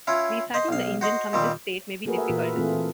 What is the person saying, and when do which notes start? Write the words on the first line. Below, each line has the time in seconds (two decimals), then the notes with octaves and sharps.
Restarting the engine from this state may be difficult.
0.07 C#4 E4 F4
0.54 C5 D#5
0.69 B1 F5
1.01 F#4 C5 D#5
1.33 A#2 D#3 G3 C4
2.05 A3 A#3 F#4 G#4 A#4 B4
2.18 E5
2.30 A#2 E3 A#3 F4 A#4
2.42 B4 E5
2.55 E3 A3 C4 F4 G#4
2.74 E3